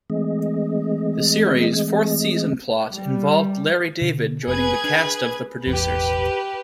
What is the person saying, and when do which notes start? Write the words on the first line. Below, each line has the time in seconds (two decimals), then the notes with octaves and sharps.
The series' fourth season plot involved Larry David joining the cast of "The Producers".
0.10 E3 G#3 A3 C4 G#4 D#5
2.92 G3
4.01 B2 D3
4.47 F1 G#4 B4 G#6
4.84 D4
5.66 E1 A1 E2 G4 B4